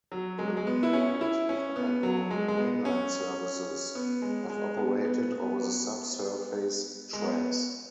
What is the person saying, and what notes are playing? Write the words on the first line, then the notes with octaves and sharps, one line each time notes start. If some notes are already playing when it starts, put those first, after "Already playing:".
A variety of underground and main line services have operated over the sub-surface tracks.
F#3
G#3
F#3
G#3
B3
E4
C#4
E4
C#4
B3
F#3
G#3
G#3
B3
C#4
B3
G#3
G#3
B3
B3
B3
G#3
B3